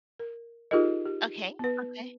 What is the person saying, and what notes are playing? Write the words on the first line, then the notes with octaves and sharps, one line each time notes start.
Okay. Okay.
A#4
D#4 F4 G4 G#4 A#4 D#5
G4
B3 B4